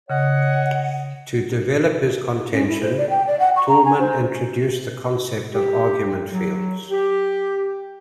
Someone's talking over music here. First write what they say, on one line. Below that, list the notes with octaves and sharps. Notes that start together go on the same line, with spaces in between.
To develop his contention, Toulmin introduced the concept of argument fields.
C#3 C#5 D#5 F#5
C#4
E4
C5
D5
G5
D5
F#5
C#6
A#5
G#5
C5
G4
F#3
G4